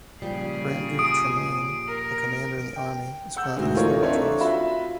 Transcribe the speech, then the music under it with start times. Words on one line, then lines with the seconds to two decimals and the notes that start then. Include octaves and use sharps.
Grand Duke Tremane, a Commander in the Army, is currently his favorite choice.
0.22 A#2 C#3 F3 G3 G#4
0.99 D#6 D7
1.88 A#4
2.76 G5
3.36 F#5 E6 G6
3.56 D2 G#2 F#4
3.75 E3 A3 D#4 F4 A#4 C#5
4.02 C4 D4 D#4 A4 C#5 E5
4.40 F4 F#4 E5 B5